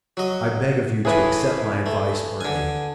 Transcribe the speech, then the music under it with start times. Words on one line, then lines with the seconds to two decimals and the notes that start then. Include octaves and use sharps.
I beg of you to accept my advice or aid.
0.17 F#3 D#5
1.05 A2 E3 G#4 B4
1.86 A3
2.41 D3 G#5